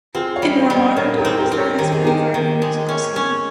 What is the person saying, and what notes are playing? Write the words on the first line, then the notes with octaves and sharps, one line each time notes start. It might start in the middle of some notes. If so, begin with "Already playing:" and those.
In more modern times there has been a thriving musical scene.
C4 F4 G#4
C#5 F5
G3
C5 D#5
G3
C5 D#5
A#2 A#4 C#5
G#4
G4 A#4
C4
G4 A#4
C4
A#4 C#5
D#3 G4
G#4
D#3 D#4 G4
D#3
G#3
C#4
C#4